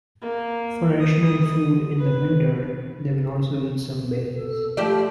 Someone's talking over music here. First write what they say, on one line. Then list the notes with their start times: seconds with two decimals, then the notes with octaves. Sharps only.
For additional food in the winter they will also eat some berries.
0.21 A#3
1.01 D#6
1.98 B4
4.34 A4
4.77 F3 A3 G4 D5